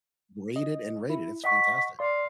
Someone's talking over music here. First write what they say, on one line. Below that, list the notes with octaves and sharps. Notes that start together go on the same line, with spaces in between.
rate it and rate it, it's fantastic.
D#5
E4
D#5 F#5 C#6 B6
D5 F5 C6